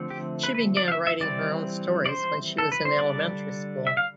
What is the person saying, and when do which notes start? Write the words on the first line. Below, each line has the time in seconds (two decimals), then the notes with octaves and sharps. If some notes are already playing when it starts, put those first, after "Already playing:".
She began writing her own stories when she was in elementary school.
Already playing: D3 F3 A3 C4
0.10 G4
0.43 B4
0.55 B4
0.77 D5
0.88 F5
0.92 E5
1.07 E5
1.20 E3 G3 C4 D5
2.06 D5
2.09 C5
2.58 A4
2.72 B4
2.85 C5
2.98 D3 G3 D4 D5
3.87 E5
3.97 F5